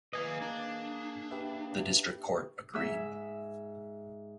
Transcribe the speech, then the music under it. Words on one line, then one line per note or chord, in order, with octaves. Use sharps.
The district court agreed.
A#3 G#4 B4 D#5 G#5
D4 A#5
G4 B4 E5
G#2 G#4 E5